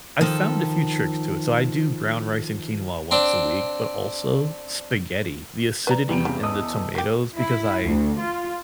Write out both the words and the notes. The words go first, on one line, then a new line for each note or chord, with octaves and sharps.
I found a few tricks to it, so I do brown rice and quinoa once a week, but also spaghetti; the acidity in the tomatoes Because I
D#3 F3 A4
C4 D4
B4 D5 A#5
E2 C3 G3
C#3
A4 D#5
A#3 G4
E4
D2
F4